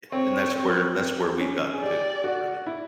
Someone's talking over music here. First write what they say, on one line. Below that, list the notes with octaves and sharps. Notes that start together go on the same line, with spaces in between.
And that's where that's where we've gotten to, really.
C4 C#5
C4
C4
C#4
G#4
G4 D5
F#4
E4